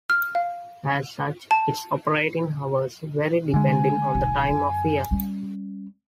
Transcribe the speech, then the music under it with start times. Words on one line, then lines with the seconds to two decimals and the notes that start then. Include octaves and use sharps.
As such, its operating hours vary depending on the time of year.
0.10 F6
0.35 F5
1.51 A5
3.54 D3 G#3 G#5
4.15 D#1 B1
4.49 F#2
5.11 G3 C#4